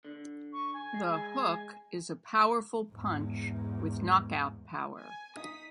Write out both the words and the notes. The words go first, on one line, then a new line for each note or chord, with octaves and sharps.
The hook is a powerful punch with knockout power.
D3
C#6
G#5
G#3
E2 G#2
G#5
D#4 D#6 B6